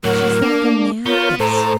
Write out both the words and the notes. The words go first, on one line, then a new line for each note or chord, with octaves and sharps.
She's like Amanthis!
A2 F#3 A#4 C#5 F#5
A#3 D4
B3 F4 A#4 C#5 G6
A2 A4 C5 A#5